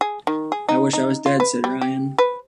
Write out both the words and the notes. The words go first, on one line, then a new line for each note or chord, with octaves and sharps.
"I wish I was dead," said Ryan.
G#4
D#3
G#4
D#4
D#4
F4
B4
G3
G4
B4